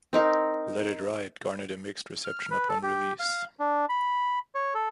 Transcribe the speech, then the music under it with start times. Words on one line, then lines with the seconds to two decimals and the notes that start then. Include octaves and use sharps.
"Let It Ride" garnered a mixed reception upon release.
0.13 C4 D#4 A#4
2.24 F6
2.51 B4
2.69 A4
2.83 G4
3.19 F5
3.60 D4
3.89 B5
4.55 C#5
4.74 A4